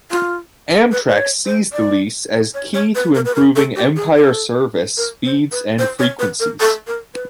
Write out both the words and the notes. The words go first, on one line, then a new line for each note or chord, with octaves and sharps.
Amtrak sees the lease as key to improving "Empire Service" speeds and frequencies.
F4
B4
C5
C#5
C5
D5
C#5
C#5
B4
A#4
B4
A#4
A4
G4
G#4
A4
A#4
C5
B4
C5
C#5
B4
A#4
A4
A#4
B4